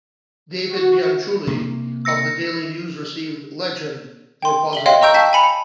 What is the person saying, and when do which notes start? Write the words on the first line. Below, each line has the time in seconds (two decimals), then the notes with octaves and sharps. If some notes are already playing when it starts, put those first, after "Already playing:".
David Bianculli of the Daily News received "Legend" more positively.
0.71 F#4
1.47 C3 A#3
2.05 E6 A#6 C#7
4.42 G5 C6
4.73 E5 F#7 G7
4.86 C#5 D#5 F5 G5 C6
5.01 D#5 A#5 C#6 E6 G6 D7
5.14 F5 G5 A5 B6
5.33 G#5 A5 B5 C#7 F7